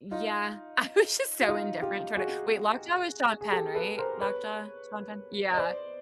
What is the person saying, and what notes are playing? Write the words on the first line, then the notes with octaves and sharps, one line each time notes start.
yeah. I was just so indifferent toward it wait, Lockjaw was Sean Penn, right? Lockjaw? Sean Penn? Yeah,
D#4 F4
F#4
D#4 F4
F4 G4
F#4 G#4
G#4
G4 A4
A4 B4
A#4 C5
B4 C#5
D#5
C5 D5